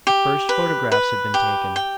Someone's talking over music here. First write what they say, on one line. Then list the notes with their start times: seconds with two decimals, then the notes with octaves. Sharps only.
The first photographs had been taken.
0.07 G4
0.49 B4
0.92 B4
1.34 G4
1.76 G5